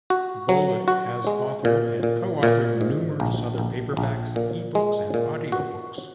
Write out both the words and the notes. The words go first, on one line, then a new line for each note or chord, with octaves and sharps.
Bolick has authored and co-authored numerous other paperbacks, ebooks and audiobooks.
F#4
F#3
F#4
G#3
A#2
A#2
A#2
G#2
A#1
A#1
A#1
A#2
G#3
A#2
F#4